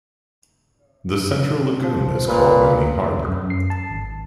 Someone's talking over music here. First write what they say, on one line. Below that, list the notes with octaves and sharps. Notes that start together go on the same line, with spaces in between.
The central lagoon is called Mooney Harbor.
F3
A#2 B4
F#2
C7
A5
G#1